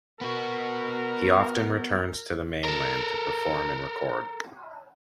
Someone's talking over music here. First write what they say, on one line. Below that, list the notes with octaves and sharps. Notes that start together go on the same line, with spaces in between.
He often returns to the mainland to perform and record.
B3 F#4 A#4
A4 A#4